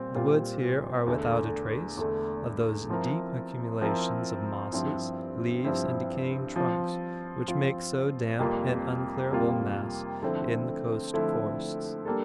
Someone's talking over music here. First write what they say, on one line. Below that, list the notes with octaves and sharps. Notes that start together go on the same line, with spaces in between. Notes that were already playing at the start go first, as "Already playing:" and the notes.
The woods here are without a trace of those deep accumulations of mosses, leaves, and decaying trunks which make so damp and unclearable mass in the coast forests.
Already playing: A#2 G3 C4
A#2 G3 C4 F4
E2 D3 A3
E2 D3 A3
F3 C4 E4 A#4
F3 C4 E4 A#4
G2 F3 C4 E4
G2 F3 C4 E4
F3 C4 F4
F3 C4 F4
F2 C3 G3 A#3 F4
F2 C3 G3 A#3 F4
D3 F3 A3 C4 E4
D3 F3 A3 C4 E4
G3 A#3 D4 A4